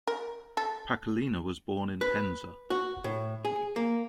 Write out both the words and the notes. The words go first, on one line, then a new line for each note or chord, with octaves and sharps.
Pakhalina was born in Penza.
A#4
A4
B4
F#4
A2
G#4
A#3